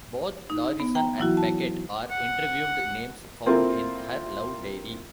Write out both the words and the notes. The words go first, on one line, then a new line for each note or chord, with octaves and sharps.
Both Lorrison and Backett are interviewed, names found in her love diary.
D#4
B3
G5 A#5
E3 F#3 E4 F#4
A5
F#5
A#3 C4 E4 F4 A4 A#4